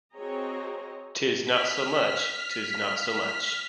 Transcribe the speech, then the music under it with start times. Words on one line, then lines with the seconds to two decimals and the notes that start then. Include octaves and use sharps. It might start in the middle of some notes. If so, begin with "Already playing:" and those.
'Tis not so much, 'tis not so much!
0.14 C4 F#4 G#4 C#5 D#5 A#5
1.42 F6 B6